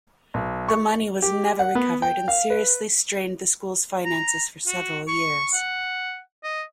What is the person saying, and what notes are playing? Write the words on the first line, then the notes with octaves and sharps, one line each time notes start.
The money was never recovered and seriously strained the schools finances for several years.
B1
C#6
G4
F#5
B3
G5
F5
B4
A#5
F#4
C#6
F#5
D#5